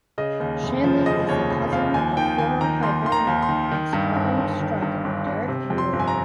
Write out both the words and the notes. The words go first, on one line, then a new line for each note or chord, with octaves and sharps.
Shanley is the cousin of former Hibernian and Scotland striker Derek Riordan.
C#3 D#5
D#2
F1
F3
C#3 D#5
D#2 C#5
F1
F3 F5
D#2 G#5
D#3 G5
D#2 G#5
D#3 A#5
D#2 C6
D#3 C6
A#5
D#2
C6
D#3
D#3
G2
G1
G1
D#3
G2
G1
G1
C3
F2
C6
G1
G#5
A#5